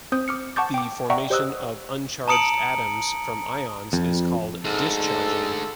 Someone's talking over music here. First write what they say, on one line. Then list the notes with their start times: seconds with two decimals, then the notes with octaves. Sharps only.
The formation of uncharged atoms from ions is called discharging.
0.12 C4 C5 D#6 G6
0.28 D6 F6 C#7
0.56 F#5 A5 C#6 D6 G6 A6
0.74 G5 D6
1.10 D5 E5 F#5 G5 A#5 C#6
1.30 G4 C5 D#5 D#6 E6 F#6
2.28 A5 A#5 D#6 C#7 D7 F#7
3.93 F2
4.64 D2 G#2 A4